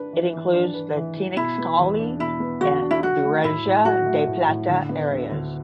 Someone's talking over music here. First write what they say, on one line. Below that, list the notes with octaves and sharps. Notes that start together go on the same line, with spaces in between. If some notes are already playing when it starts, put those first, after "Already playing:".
It includes the Tenexcalli and Barriga de Plata areas.
Already playing: D4 B4
E3
E3
D4
B4
E3
E3
B2 E4
B3
E2
D4
B2 E4
B3
E2 F#4
D4
E4
F#3 F#4
A3
A2 E4
A2
F#3 F#4
A3
A2
A2
D3
B3
D2
D2